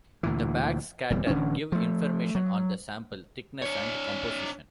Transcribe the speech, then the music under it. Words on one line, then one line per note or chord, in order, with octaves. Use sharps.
The backscatter give information on the sample thickness and composition.
D2 A#2 E3
D1 E2 G3
D1 D3 E3 C#4
F3 A3
F#3
D4 C#5